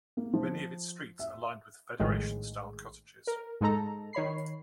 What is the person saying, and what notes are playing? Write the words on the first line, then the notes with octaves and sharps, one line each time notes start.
Many of its streets are lined with Federation style cottages.
A#3
F3
E5
A#1 A2 D#3 G#3
A#4
G#2 G#3 D#4 A4 A#5
D#3 C#5 B5 C7